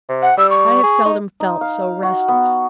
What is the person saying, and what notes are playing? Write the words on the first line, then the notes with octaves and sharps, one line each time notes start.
I have seldom felt so restless.
C3
F#5
G3 E6
C#6
G#4
D#4
D#4
F5
F#4
B3